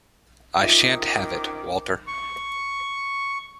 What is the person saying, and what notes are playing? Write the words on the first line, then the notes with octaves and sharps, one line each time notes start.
'I shan’t have it', Walter.
C3 D#3 C#4 D#4 F4 E5 D6
C#6